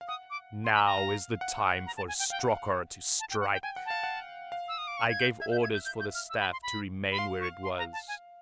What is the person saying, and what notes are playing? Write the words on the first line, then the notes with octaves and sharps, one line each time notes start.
"Now is the time for Strokor to strike!" I gave orders for the staff to remain where it was.
F5
F#5 D#6
D6
C6
B5
A#5
F5
F#5
A#5
A5
G#5
G5
F5 G5
F#5
F5
A5
G5
F#5
G5
G5 G#5
F#5
F5 A5
F#5
F5
E6
D#6
D6
C#6
G#6
G6
E5 G#6
F5 G6
E5
G#6
G6
G6
G6
F6
E6
B5
C6
B5
B5
F5 C6
C#6
C6
A#5
A5
G#5